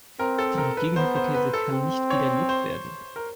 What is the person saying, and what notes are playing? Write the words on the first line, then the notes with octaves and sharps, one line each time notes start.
Die Gegenhypothese kann nicht widerlegt werden.
C4 A#4
A4
A#4
B4
B3 C5
C5
B4
A4
C4
C#5
C5
A#4